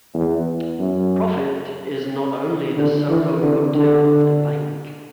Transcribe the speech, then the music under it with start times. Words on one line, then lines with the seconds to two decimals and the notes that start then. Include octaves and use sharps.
Profit is not only the solo motive of the bank.
0.14 E2
0.79 F#2
2.76 D3
3.09 E3
3.42 D3
3.75 D3